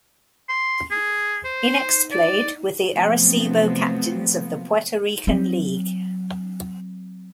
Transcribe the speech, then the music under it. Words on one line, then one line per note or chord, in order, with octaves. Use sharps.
He next played with the Arecibo Captains of the Puerto Rican League.
C6
G#4
C5
D5
C3 F3 F#3 A3 B3 C4
F#3 C4